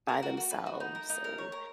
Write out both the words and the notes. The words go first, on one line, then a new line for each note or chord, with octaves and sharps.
by themselves and,
A#4
F#4
F#4
B4
F#4
D#4
A#4
D#4
A#4
C#5
A#4